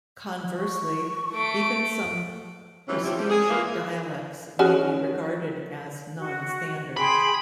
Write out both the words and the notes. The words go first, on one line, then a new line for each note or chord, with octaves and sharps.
Conversely, even some prestige dialects may be regarded as nonstandard.
C#6
A3 D7
C3 D#3 E3 F#3 A3 C#4
F3 G3 E4
C3 G3
G#4
A#2 E3 A#3
C#4 F#4 G#4
F#4
G#4 G5 B5 C6